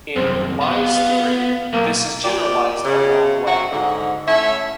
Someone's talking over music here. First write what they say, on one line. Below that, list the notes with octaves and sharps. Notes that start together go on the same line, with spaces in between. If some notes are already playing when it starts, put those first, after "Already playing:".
In Lie's theory, this is generalised a long way.
C2 F#2 C4
B3 F5
B1 A#3
A#2 G4 D5
C#3
F#3 C4 F#4
G#2 D3
A3 C#4 E4 C#5 E5